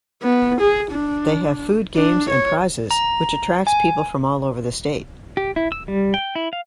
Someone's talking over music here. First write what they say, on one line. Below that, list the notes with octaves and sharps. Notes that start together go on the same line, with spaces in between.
They have food, games, and prizes, which attracts people from all over the state.
B3
G#4
D4
D4
C#5
A#5
G#5
G4
E4
E6
G3
G5
E4
F5